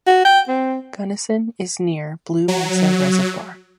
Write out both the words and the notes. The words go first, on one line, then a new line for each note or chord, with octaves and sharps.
Gunnison is near Blue Mesa Reservoir.
F#4
G5
C4
F#3